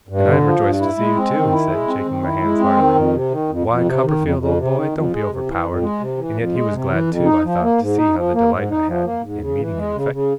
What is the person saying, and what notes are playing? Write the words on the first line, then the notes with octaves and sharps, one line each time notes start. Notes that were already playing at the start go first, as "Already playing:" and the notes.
'And I am rejoiced to see you, too!' he said, shaking my hands heartily. 'Why, Copperfield, old boy, don't be overpowered!' And yet he was glad, too, I thought, to see how the delight I had in meeting him affected me.
G2
D3
F3
G2
E4
G#3
C4
D#3
E4
G#3
C4
D#3
E4
G#3
C4
D#3
F2
C3
D#3
F2
F2
C3
D#3
F2
F2
C3
D#3
F2
G#3
C3
E3
F2
G#3
C3
E3
F2
G#3
C3
E3
F2
D#4
F3
A#3
G#2
D#4
F3
A#3
G#2
D#4
F3
A#3
G#2
C#3
E3
G#3
C#3
C#3